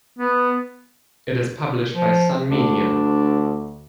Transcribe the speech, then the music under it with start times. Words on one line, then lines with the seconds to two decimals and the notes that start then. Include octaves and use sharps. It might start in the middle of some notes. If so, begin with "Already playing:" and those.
It is published by Sun Media.
0.19 B3
1.94 F3
2.51 D2 D4